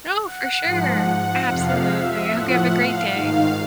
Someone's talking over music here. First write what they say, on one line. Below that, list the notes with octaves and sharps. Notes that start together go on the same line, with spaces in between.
Oh, for sure. Absolutely. I hope you have a great day.
F#5
G#2 F3
F2 C3 F3 F5
E5
A2 F3 F#5
F5
G#2 D#3